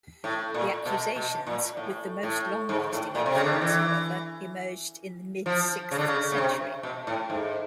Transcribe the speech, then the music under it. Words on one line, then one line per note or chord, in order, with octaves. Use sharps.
The accusations with the most long-lasting influence, however, emerged in the mid-sixth century.
A2
A#2
B2
B2
A#2
A2
A2
G#2
A2
A#2
C3
C#3
D3
D#3
E3
F3
C#3
D3
C#3
C#3
C3
B2
A2
G#2